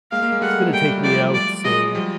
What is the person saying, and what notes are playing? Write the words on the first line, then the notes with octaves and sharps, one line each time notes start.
it's gonna take me out so
G#3 A#3 F5
G#3 A#3
G#3 A#3
G3 A3 F#5
G3 A3 G5
G3
F#3
F3 G3 D5
D5
F#3 G#3 D#5
F3 G3